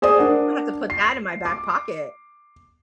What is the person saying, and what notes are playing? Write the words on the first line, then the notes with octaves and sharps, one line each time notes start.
I'm gonna have to put that in my back pocket.
G#4 C5 D5 D#6
D4 A#4 F#5
C7
D6